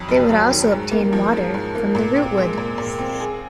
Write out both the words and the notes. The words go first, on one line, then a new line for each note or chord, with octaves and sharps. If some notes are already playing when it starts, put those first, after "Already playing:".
They would also obtain water from the rootwood.
Already playing: F2 D#3 F#3
F1
F#3
D#3
G#2
A#3
F3
G#2
G#2
A#3
A#2
C4
G#3
A#2
A#2
C4
G#4